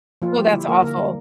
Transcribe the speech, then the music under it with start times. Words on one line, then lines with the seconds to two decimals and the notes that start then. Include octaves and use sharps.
Oh, that's awful.
0.22 F3 A#3 F4
0.37 G3 A#3 G4
0.52 D3 E4
0.68 A#3 A#4
0.83 D3 A#3 A#4
0.98 G3